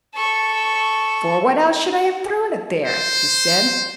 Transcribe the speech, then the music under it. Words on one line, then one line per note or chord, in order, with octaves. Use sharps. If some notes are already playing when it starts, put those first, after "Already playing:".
"For what else should I have thrown it there?" he said.
A4 C#6
C5